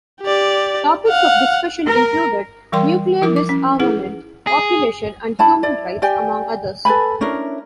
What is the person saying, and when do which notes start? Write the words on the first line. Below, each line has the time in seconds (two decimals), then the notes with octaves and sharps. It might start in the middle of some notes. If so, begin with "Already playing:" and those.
Topics of discussion included nuclear disarmament, population and human rights, among others.
0.21 G4 D5
1.08 F5 F#5
1.85 A#4
2.72 E3 G3 A#4 D5 G5 C6
3.22 F3 E4 A#4 D6
3.36 D6
3.49 C#4
3.80 D#4 E4 G#4 B4 F#5
4.47 G#4
5.39 D4 E4 A5 B5
5.63 E4 D5
6.02 G4 D5 G5 G#5
6.85 A4 B4 G#5 B5
7.21 C#4 D4 E4 A#4